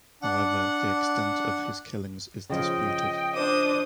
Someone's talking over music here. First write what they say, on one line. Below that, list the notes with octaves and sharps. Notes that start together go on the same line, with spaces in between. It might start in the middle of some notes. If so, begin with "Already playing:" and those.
However, the extent of his killings is disputed.
D4 F#5
C#3 F3 D#5 G5
D4 C5 D6 D#6